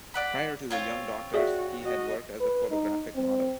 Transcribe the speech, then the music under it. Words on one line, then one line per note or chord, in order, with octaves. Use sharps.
Prior to "The Young Doctors" he had worked as a photographic model.
D5 F#5 B5
C4 F4 C#5
F#4 G#4 D5 E5
F#4 D#5
B4
D#4
C4